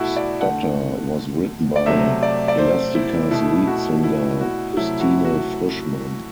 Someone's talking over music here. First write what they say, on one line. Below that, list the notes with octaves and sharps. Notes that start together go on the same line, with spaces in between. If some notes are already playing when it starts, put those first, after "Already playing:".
"Stutter" was written by Elastica's lead singer, Justine Frischmann.
Already playing: B2 A3 E4 F#4 A4
D5
D3 A3 F#5
D5
C3 F#3 A3 E5
D5
D5
C5
E4
B2 A3 E4
F#4
E4
F#4
C3 F#3 A3 E4
F#4
F#4